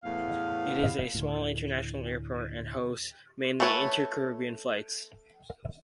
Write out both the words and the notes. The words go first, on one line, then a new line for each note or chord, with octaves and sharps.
It is a small international airport that hosts mainly inter-Caribbean flights.
E2 A2 B3 F5
D2 A2
A3 A4 B4 C#5